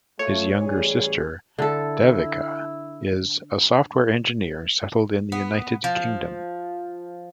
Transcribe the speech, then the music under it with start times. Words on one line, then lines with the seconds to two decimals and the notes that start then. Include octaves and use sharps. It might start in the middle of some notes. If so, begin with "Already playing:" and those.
His younger sister, Devika, is a software engineer settled in the United Kingdom.
0.19 A3 F4 C#5
0.59 A1 G3 G#4
1.59 D3 E4 A4
5.32 B3
5.84 F3